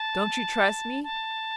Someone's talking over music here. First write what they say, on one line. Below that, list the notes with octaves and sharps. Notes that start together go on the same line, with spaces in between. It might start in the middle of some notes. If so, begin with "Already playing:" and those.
Don't you trust me?
Already playing: A5
A5